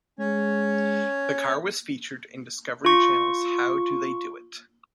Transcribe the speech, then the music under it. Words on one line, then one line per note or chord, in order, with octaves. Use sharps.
The car was featured in Discovery Channel's How Do They Do It?
G#3 C#4 C#5
F4 C#6